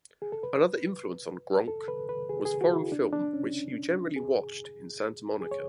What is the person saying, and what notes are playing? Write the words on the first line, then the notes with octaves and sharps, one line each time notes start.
Another influence on Gronk was foreign film which he generally watched in Santa Monica.
G#4
A4
B4
A4
B4
B4
G#4
G#4
F#4
E4
D4
D4
C#4
G#4
G#4
C#5